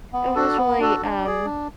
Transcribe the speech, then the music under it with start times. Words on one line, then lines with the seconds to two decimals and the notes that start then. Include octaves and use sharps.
it was really, um,
0.13 B3
0.35 D4 F#4 A4
0.57 B3
0.79 D4 F#4 A4
1.02 D4
1.24 G#4 D5
1.46 D4